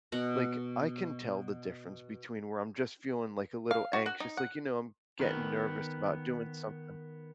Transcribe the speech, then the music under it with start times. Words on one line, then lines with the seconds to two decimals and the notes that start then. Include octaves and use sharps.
Like, I can tell the difference between where I'm just feeling, like, a little anxious, like, you know, I'm getting nervous about doing something
0.12 B2 F#5 A#5
3.71 F5
3.93 F#4
4.06 F#4
4.20 D#4
4.37 F#5
5.20 D#3 B3